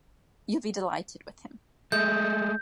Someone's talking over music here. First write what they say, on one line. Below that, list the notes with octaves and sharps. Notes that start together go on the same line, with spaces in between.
You’ll be delighted with him.
G#3 A3 G6